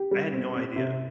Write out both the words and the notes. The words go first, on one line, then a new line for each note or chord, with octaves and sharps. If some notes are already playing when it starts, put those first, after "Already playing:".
I had no idea.
Already playing: G4
G3
C4
C4
C3